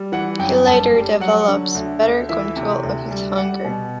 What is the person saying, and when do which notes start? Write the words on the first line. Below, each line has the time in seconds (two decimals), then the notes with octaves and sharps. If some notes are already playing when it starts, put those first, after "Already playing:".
He later develops better control of his "hunger".
Already playing: G3
0.12 E3 F#5
0.39 F#2 G5
0.67 G1 A5
0.94 G3
1.20 F#3 F#5
1.48 D3
1.75 D2
2.02 D2
2.29 E3 E5
2.56 C3
2.83 D2
3.11 G3
3.37 G3 F#5
3.65 B2